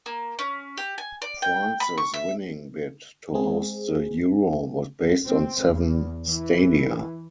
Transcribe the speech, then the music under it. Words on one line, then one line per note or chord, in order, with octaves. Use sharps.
France's winning bid to host the Euro was based on seven stadia.
A#3
C#4
G4
G#5
D5
G5
B5
C#6
E5
G#3 C4 G#4
C4
E2
E3